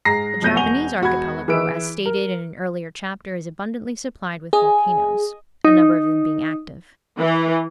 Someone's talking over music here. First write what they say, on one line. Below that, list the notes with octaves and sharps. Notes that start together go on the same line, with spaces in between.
The Japanese archipelago, as stated in an earlier chapter, is abundantly supplied with volcanoes, a number of them being active.
G#2 G#4 A#5 A#6 C7
F2 B2 F#3 G6 A#6 D#7
E1 F#5 G#5 C#6 F7 G7
E1 F#4 B5 G#6
E3 G#4 B4 E6 D7
A#4
G#4 D#5 G#5
D#4
E3